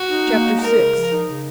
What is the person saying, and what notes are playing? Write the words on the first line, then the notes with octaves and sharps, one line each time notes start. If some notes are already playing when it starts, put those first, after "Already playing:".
Chapter VI.
Already playing: F#4
D#4
A#3
D#4
G#3 A#4
C#3
F3
D#4
C#3